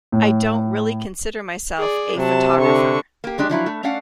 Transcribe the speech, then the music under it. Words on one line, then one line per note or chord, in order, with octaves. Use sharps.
I don't really consider myself a photographer.
A2
G#4 D5
C3 F#3 A5
D3 C#6
A#3 G4
F#3 G#3 D4 G4
F3 F#3 E4 F4
A3
A3 C#4 D4 F5 F#5